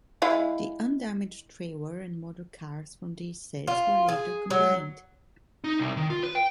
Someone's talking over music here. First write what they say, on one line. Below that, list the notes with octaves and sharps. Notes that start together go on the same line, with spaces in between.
The undamaged trailer and motor cars from these sets were later combined.
G#3 E4 F5
F4
G#4
F#3
D#4
C2
D#3
F4
B4
G5